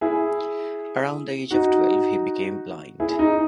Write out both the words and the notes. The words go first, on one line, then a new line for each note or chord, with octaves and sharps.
Around the age of twelve he became blind.
E4 G#4
D#4 F#4
E4 G#4
D#4